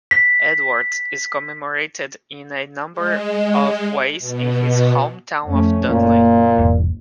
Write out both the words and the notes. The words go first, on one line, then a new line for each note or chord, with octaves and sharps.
Edwards is commemorated in a number of ways in his home town of Dudley.
B6
G#3
B2
F2 A3 C#4
F#1 A#2 A#3
E1 C2 G#2